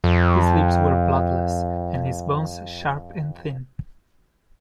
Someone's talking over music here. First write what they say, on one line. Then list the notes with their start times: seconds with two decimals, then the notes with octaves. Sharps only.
His lips were bloodless, and his bones sharp and thin.
0.04 F2